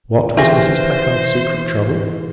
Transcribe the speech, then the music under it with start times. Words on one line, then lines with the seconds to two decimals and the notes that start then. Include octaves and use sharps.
What was Mrs. Packard's secret trouble?
0.37 E3 F4 G4 G#4 C5 E5 G#5 A#6